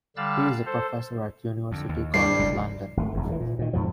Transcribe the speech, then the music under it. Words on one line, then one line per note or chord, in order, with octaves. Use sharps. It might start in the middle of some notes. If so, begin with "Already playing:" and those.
He is a professor at University College London.
D3 G3 F5 E6 F#6 A6
A4 C5
F2 D3
D#2
C2 G3 D4 C7
F1 C#2
G#1 A3
E1 E2
F2 A2 E3
A#2
A#2 D#3
F2 G#2 B2 F3